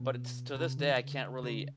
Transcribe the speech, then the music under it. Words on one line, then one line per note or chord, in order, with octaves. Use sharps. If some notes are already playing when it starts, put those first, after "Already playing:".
but to this day, I can't really
Already playing: B2
C3
D#3
C3
C#3
D3
C#3
C#3